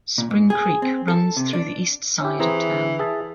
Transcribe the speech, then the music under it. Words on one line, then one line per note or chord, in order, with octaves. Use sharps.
Spring Creek runs through the east side of town.
A#2
G#2
G#4
C4
A4
C3
D4
C#4 E4 G4
E3 C4 G#4 A#5
G#4 E5 A5